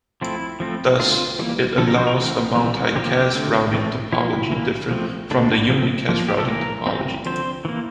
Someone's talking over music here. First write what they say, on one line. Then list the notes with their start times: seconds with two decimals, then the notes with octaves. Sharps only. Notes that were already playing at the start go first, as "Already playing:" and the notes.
Thus, it allows a multicast routing topology different from the unicast routing topology.
0.21 F3 A3 C4 E4
0.60 F3 A3 C4
1.00 D3 A3 C4 F4
1.39 E3 G3 A#3
1.78 D3 F3 C4 A4
1.87 A#4
1.97 C5
2.07 A#4
2.17 E3 A3 C4
2.56 E3 G3 C4
2.95 D3 F3 A#3 G4
3.35 D3 A3 C4
3.74 E3 A3 C4
4.12 F3 A#3 E4
4.52 E3 A#3
4.91 F3 A3 C4
5.31 D3 A3 C4 D4
5.70 F3 A3 C4
6.09 F3 A#3
6.28 G4
6.38 A4
6.48 E3 A#3 A#4
6.87 E3 G3 C4
7.26 D3 F3 C4 C5
7.65 E3 A#3